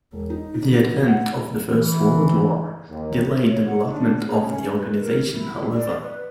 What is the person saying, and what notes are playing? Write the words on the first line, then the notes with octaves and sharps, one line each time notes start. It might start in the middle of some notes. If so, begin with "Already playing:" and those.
The advent of the First World War delayed development of the organisation, however.
E1
D#4
D#4
F#4
F#5
E3
D#2
C#5
F#5
D4
G#4
C#4
B4
A#4
E4
D5
B4